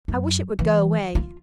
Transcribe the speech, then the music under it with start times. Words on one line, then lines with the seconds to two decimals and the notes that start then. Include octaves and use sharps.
I wish it would go away.
0.08 F#2
0.59 E3
1.15 F4